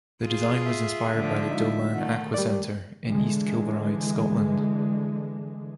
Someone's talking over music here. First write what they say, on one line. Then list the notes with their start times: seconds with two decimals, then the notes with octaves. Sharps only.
The design was inspired by the Dollan Aqua Centre in East Kilbride, Scotland.
0.23 F4 G#4
0.65 E5
1.12 D3 F3 A3
1.51 G#3 D#4 F4
1.93 D#3 A3 F#5
2.34 G3 A#4 D5
3.05 D3 E3 G#3